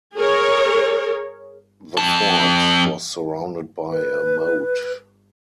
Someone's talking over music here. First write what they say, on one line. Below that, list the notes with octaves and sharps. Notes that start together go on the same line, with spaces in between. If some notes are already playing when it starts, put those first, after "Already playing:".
The fort was surrounded by a moat.
G#4 A#4 C#5
F2 A5
B4